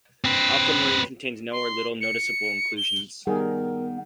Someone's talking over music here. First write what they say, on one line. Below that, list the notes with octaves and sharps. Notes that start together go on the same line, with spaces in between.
Aquamarine contains no or little noticeable inclusions.
C4 B4
C6
C#7
G7
D#3 G3 B3 G#4 A#4